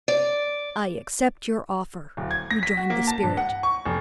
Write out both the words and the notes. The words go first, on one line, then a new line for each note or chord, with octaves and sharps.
"I accept your offer," rejoined the spirit.
D5
D1
G#6
A#6
B6
F#4
A#3
A5
G2
F#5
C#6
F1